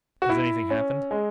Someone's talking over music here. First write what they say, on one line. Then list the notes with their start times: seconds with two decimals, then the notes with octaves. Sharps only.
"Has any thing happened?"
0.22 F#4
0.29 E4
0.70 C#4
1.11 G#3